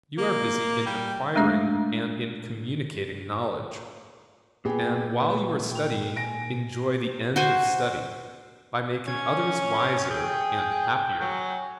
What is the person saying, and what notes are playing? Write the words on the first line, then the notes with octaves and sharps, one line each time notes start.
You are busy in acquiring and in communicating knowledge, and while you are studying, enjoy the end of study, by making others wiser and happier.
A#3
G3
G#3 A3 D4 E5
A#2 B3 G#4 G5
B4
G5 F7
G#5 A#6 D7
F#4 C5 G#5
C#4 C#5 G#6
G#4 G5
F#3 G#5